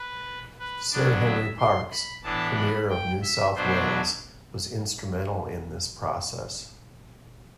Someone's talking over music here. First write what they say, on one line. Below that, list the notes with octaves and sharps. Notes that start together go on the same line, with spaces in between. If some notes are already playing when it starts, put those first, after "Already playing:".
Sir Henry Parkes, Premier of New South Wales, was instrumental in this process.
Already playing: B4
B4
D3 F#3 B3 D4 D5
E5
C6
B5
A2 E3 B3 D4 A5
B5
G5
E5
B2 F#3 A3 D4 C5